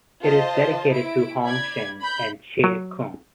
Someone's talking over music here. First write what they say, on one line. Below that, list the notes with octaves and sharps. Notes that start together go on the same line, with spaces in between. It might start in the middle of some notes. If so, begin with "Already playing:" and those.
It is dedicated to Hung Shing and Che Kung.
F4 C5 D#5 A5
E4 D7
D5 B5 G#6
B5 G6
F#3